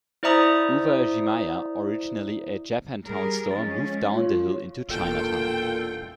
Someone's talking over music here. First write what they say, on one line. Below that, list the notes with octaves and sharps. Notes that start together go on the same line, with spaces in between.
Uwajimaya, originally a Japantown store, moved down the hill into Chinatown.
E4 C5 D5 E5 A#5 D#6
G3 G#4 A#4
F3 G#3 C#4 A6
F3 F4 C#5
E1 A#2 F4 A4 G5